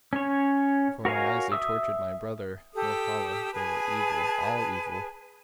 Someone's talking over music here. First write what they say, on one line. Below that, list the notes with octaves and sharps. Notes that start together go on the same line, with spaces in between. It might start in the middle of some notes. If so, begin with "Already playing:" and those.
Before my eyes they tortured my brother. Norhala--they were evil, all evil!
C#4 C#5
F#4 A#4 C#5 F5 G#5
E5 D#6 E6
G4 A4 D#6
G#4 B4 G#5 A5